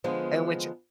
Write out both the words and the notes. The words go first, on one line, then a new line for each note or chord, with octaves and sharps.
and which
D3 F3 G#3 B3